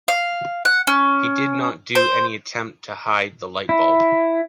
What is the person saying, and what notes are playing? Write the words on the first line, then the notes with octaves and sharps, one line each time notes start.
He did not do any attempt to hide the light bulb.
F5
F#5
C#4
C5
E4